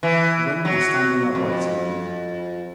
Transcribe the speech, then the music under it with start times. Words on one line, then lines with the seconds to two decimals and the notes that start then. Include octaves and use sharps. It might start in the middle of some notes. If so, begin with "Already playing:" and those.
The women were standing up waiting on them.
0.03 E3
0.65 F#3
1.35 F2